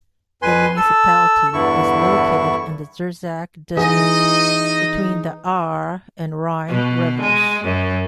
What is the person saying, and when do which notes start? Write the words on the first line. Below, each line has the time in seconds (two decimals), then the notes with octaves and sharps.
The municipality is located in the Zurzach district, between the Aare and Rhine rivers.
0.42 F2 B4 G#5 C6
0.77 A4 E6
1.53 E2 G2 D3 E4 C#6
3.77 E3 D#4 G#4 D#5
6.68 B2
7.21 G#3
7.64 F#2